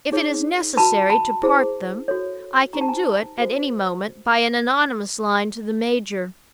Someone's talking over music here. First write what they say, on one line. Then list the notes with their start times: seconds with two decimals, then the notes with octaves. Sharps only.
If it is necessary to part them, I can do it at any moment by an anonymous line to the major.
0.12 D#4 G#4 C#5
0.77 F#4 B4 A5 B5
1.10 A5 B5
1.43 E4 G#4 C5
2.08 F#4 A4 C#5
2.73 D#4 G4 C5 A#5
2.81 A5
2.88 G#5 A#5
3.38 F#4 A4 C5